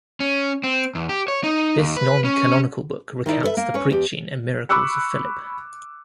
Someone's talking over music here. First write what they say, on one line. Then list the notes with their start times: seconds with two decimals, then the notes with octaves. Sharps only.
This non-canonical book recounts the preaching and miracles of Philip.
0.20 C#4
0.64 C4
0.95 E2
1.09 G4
1.28 C#5
1.43 D#4
1.79 D#2
1.97 B4
2.25 C#4
3.26 D#3 D#4 E4 D5
3.43 A4 B4 C#5 E5
3.57 A#3
3.74 C#4 B4 C#5
3.91 E2 G4
4.69 B5 C#6 D6 E6 F#6 C#7